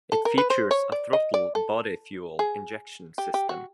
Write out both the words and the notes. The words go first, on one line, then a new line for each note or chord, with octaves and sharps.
It features a throttle body fuel injection system.
A4
A#4
B4
C5
C#5
D5
D#5
D5
A4
G#4
G4
G4
F#4